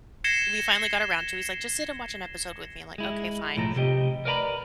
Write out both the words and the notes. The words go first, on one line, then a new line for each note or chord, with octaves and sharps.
we finally got around to it, he's like, "Just sit and watch an episode with me." I'm like, "Okay, fine."
G#6 A#6 C7 C#7 E7 G7
G#3 E4
B1 A2 F3 A3 A#5
C3 G4 D#5
A#4 B4 D5 F#5 A#5 B5